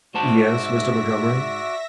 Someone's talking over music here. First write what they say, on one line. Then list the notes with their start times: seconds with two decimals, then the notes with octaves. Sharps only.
"Yes, Mr. Montgomery?"
0.14 G#2 F#4 C5 D5 E5 A5 A#6 B6